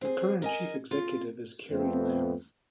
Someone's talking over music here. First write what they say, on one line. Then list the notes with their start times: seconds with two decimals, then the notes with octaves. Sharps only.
The current Chief Executive is Carrie Lam.
0.01 C4 G#4
0.42 A#4 D#5 G#5
0.91 F4
1.71 F2 A3 B3 C4